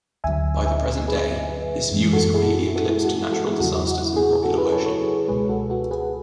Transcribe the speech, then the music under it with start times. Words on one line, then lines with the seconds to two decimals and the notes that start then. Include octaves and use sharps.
By the present day, this view has completely eclipsed natural disasters in popular worship.
0.24 D2 D3 F#3 E5 G#5
0.66 E5 G#5
0.87 E5 G#5
1.08 G#4 B4
1.92 F#2 E3 G#3
2.13 F#4 A4
2.34 E4 G#4
2.55 F#4
2.76 F#4 A4
2.89 E4 G#4
3.05 F#4
3.18 F#4
3.32 F#4 A4
3.46 E4 G#4
3.60 E2 C#3 F#3 F#4 A4
3.74 F#4
3.89 F#4
4.02 E4
4.16 G#4
4.23 F#4
4.44 F#4 A4
4.58 G#4 B4
4.72 A4 C#5
4.86 A4 C#5
5.28 C#2 B2 G#3 G#4 B4
5.49 F#4 A4
5.70 F#4 A4
5.91 G#4 B4